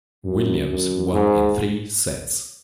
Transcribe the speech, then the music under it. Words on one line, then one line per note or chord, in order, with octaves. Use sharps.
Williams won in three sets.
F#2
F#2
G#2